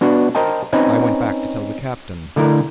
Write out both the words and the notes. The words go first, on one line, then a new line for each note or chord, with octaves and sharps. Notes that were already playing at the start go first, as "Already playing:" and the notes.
I went back to tell the captain.
B3 D4 F#4
A#4 C5 D#5 G5 A5
C4 C#4 D#4 B4
D3 A3 E4 A#4